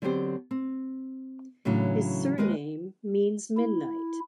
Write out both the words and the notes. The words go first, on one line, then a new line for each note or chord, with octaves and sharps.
His surname means "midnight".
D3 F#3 B3 C4 G4 C5
C4
A2 C#3 E3 F#3 D4
D#2 G#3 A#4 B4 D#5
E4